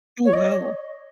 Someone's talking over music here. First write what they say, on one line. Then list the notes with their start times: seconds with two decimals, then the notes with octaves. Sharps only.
Oh, wow.
0.25 C#5
0.33 D#5